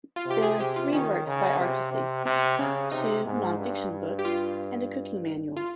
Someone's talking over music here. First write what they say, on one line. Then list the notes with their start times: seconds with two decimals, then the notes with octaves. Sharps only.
There are three works by Artusi: two non-fiction books and a cooking manual.
0.16 F4
0.26 C3 G4
0.42 G#4
0.60 C3 G4
0.76 F4
0.93 D#3 C#4
1.27 C#3
1.59 C3
1.92 C3
2.25 C3 C4
2.59 C#3 C#4
2.91 C3 D#4
3.25 G#2
3.57 G2
3.92 G2
4.19 G4
4.25 F4
5.56 F4